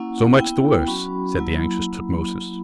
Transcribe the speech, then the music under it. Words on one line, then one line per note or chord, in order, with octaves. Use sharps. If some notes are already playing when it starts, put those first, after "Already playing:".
"So much the worse," said the anxious Tutmosis.
Already playing: A#3 C#4 E4 F#5
B3 E4 G5
F#3 C#4 F#4 B5
F#3 A#3 E4